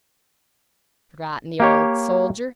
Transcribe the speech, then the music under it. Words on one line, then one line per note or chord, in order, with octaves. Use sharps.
Forgotten the Old Soldier!
A#3 G4 C#5